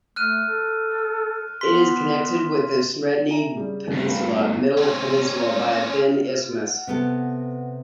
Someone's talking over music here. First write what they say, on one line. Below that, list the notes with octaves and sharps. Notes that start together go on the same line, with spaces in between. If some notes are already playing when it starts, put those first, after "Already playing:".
It is connected with the Sredny Peninsula, "Middle Peninsula" by a thin isthmus.
A3 F6 F#6 D#7
A4
B3 C6 B6
E5 G#5 A#5
C#3 G3
D2 G2 A6
A#4 B4 B5
B2 A3
C4 C#4
C3 B3 A4